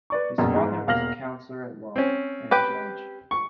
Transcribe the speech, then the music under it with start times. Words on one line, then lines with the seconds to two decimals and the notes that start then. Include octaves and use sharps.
His father was a counselor-at-law and judge.
0.10 B4 D5 C#6
0.38 A#1 F#2 B2
0.56 G#2 A#5
0.87 E1 A#3 F5 F6 A#6 F#7
1.96 C4 C#4
2.51 G4 B4 G5
3.31 C#6